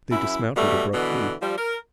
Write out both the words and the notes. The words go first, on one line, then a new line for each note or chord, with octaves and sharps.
They dismounted abruptly.
F#2 E4
B2 G3 A3
B2 D3 E3
F3 G3
A#4